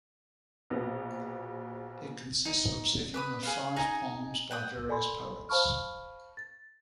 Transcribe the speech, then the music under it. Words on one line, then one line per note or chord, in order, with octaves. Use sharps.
It consists of settings of five poems by various poets.
A#1 B2 B3
D#4
B4 D6 D#6
G#4 F5
D#4 G#4 G#5 A#5
F#5 G5 D#6
A4 D5 G#5 B5 C6
C5 F5 A5 B5 C#6 F6
A6